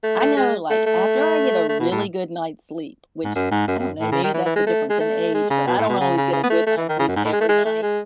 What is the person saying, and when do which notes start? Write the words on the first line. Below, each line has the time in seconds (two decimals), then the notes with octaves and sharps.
I know, like, after I get a really good night's sleep, which I don't know, maybe that's the difference in age, but I don't always get a good night's sleep every night,
0.03 A3
0.20 A3
0.36 G#3
0.70 A3
0.86 A3
1.69 A3
1.79 B2
1.91 A2
3.24 G#2
3.35 F#2
3.51 G#2
3.68 F#2
3.79 F#2
4.00 A2
4.12 C#3
4.23 D#3
4.34 E3
4.45 E3
4.56 G#3
4.67 A3
4.89 G#3
5.00 A3
5.34 G#3
5.50 C#3
5.67 B2
5.78 A2
5.89 B2
6.00 C#3
6.17 C#3
6.32 C#3
6.43 B3
6.50 A3
6.66 A3
6.77 E3
6.89 D#3
6.99 C#3
7.08 F#2
7.16 G#2
7.25 A2
7.32 G#3
7.41 A3
7.49 G#3
7.65 A3
7.82 G#3